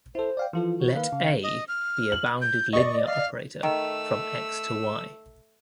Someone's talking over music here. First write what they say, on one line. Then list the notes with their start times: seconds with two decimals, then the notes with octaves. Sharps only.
Let "A" be a bounded linear operator from "X" to "Y".
0.15 E4 A4 C5
0.37 D5 F5 G5
0.53 E3 F3 F4 A4
0.78 F#4
0.94 D#3 A#3 B4 F5
1.12 C#3
1.43 D#5
1.68 F6
2.12 F#7
2.42 G6
2.73 D5 D#5 C#6
3.06 F5
3.63 D#3 A3 E6